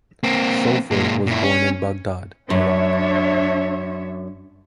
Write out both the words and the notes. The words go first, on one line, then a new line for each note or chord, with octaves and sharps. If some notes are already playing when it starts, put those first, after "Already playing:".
Sofer was born in Baghdad, Iraq.
A#3 C4
A#2 G#3
A#2 E4
C#4
F#2 D4 C#5 E5